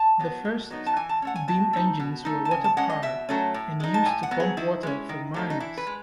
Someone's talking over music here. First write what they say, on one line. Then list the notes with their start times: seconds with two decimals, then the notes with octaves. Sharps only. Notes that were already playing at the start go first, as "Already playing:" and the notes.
The first beam engines were water-powered, and used to pump water from mines.
Already playing: A5
0.19 F#3 B3
0.45 B2
0.71 F#3 B3 D#4
0.86 A5
0.96 E3 G#5
1.09 A5
1.22 A3 C#4 F#5
1.36 G#5
1.48 B2 A5
1.73 A3 D#4
2.00 B2
2.25 A3 D#4
2.45 A5
2.51 C#3 G#5
2.64 A5
2.77 G#3 C#4 F#5
2.90 D#5
3.02 B2 E5
3.29 F#3 A3 C#4
3.54 A2
3.80 G#3 D#4
3.94 A5
4.06 A2 G#5
4.23 F#5
4.31 F#3 B3
4.40 G#4
4.57 D#3 E4
4.83 G#3 C#4
5.09 D#3
5.34 F#3 A3 D#4
5.50 D#4
5.60 E3 E4
5.77 B4
5.87 G#3